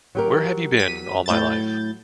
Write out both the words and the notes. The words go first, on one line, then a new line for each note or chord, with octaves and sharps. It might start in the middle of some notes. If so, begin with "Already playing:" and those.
Where have you been all my life?
F#3 G4 A#4
B6 D#7
A2 G6 A6